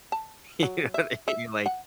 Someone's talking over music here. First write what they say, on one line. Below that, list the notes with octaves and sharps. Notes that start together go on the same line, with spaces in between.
You know what I mean? Like
A5
F#3
E5
E5
F#5